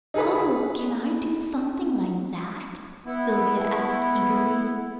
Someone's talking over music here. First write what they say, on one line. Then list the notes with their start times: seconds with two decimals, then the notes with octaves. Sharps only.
"Oh, can I do something like that?" Sylvia asked eagerly.
0.14 D#4 G#4 A4 B4
3.05 B3 E4